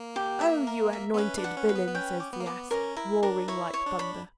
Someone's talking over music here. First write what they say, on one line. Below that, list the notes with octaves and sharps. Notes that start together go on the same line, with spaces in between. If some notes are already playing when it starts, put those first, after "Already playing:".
"Oh, you anointed villain!" says the ass, roaring like thunder.
Already playing: A#3
G4
E5
A#4
E5
B3
C#4 B4
D4
F#5
C#4
B4
B3
B3
C#4 G5
D6
B3
A#3
B3 D6
C#4 A#4
E4 A#4
D4 A#4
E4 C#5
C#5
D4
B5